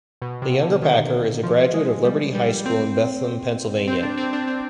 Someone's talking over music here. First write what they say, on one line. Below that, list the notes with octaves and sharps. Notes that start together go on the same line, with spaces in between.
The younger Packer is a graduate of Liberty High School in Bethlehem, Pennsylvania.
B2
C3
D3
D#3
F3
G#3
G3
G3
C4
C4
D4
C4
D4
C4